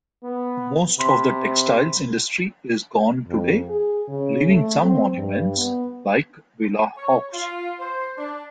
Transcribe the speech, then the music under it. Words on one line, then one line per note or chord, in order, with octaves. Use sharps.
Most of the textiles industry is gone today, leaving some monuments, like Villa Haux.
B3
C3 B5 C6 B6
F2
G#4
C#3
A3
C4
G2
B3
C#5
F4
C5
D4